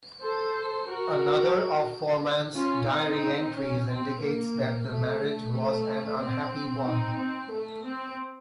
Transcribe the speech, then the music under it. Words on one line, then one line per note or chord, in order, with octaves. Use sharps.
Another of Forman's diary entries indicates that the marriage was an unhappy one.
A4 C5
F#4 A#4
C#4 F4
C4 D#4
C#4
C4
A#3
A3
A3
C4
C4 D#4
C4
A3
C4